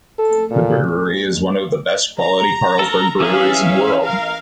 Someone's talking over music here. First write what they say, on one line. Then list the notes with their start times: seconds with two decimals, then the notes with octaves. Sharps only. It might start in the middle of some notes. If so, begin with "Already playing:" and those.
The brewery is one of the best quality Carlsberg breweries in the world.
0.19 A4
0.51 A#2
2.19 A#5
2.79 A4 A#4
3.20 E3 C#4 G#4 E5 F5
4.02 A#4 F5